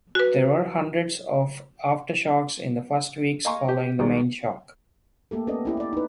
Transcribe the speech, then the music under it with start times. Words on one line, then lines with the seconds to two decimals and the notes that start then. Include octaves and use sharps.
There were hundreds of aftershocks in the first weeks following the main shock.
0.15 F#4 B4
3.45 D#5 F5 G#5 A#5 C6 C#6
3.68 G4
3.99 C2 D#3 G#3 D5
5.31 A3 A#3 G4 A4
5.47 B3 C#4 G4 A4 D5 D#5
5.65 C#4 E4 G4
5.77 G4 D5
5.93 D#4 B4